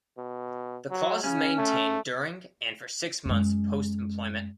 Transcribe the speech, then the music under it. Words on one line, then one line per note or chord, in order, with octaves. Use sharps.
The clause is maintained during, and for six months post-employment.
B2
F#3
C#3 C#4
A3
F#2 G#3